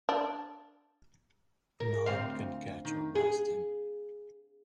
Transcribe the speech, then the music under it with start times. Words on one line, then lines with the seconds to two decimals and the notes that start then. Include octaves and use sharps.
None can catch or best him.
0.09 D4
1.80 A#4
2.06 D2 C4 F5
2.85 D#3
3.15 G#4